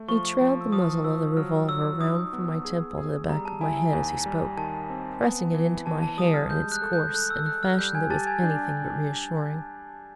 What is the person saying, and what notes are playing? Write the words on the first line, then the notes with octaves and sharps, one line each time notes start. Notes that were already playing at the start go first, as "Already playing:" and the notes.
He trailed the muzzle of the revolver round from my temple to the back of my head as he spoke, pressing it into my hair in its course in a fashion that was anything but reassuring.
Already playing: A3
F3 C#6
F3
E6
F3 D#6
F3 E6
F#3 F6
F#3 E6
D#4 D#6
B3
G#4
G#4
G3 A#5
A5
E4 G#5
G#5
D#2
G3
D#3 A5
C4
B3
E3
E3 A5
A5
G3 D#6
F6
G#3 G6
F#6
A4
G6
A4 F#6
E6
A4 F#6
F6
G3 G6
G#5 G#6
G4 A5 A6
A6
G#5 G#6
D4 G6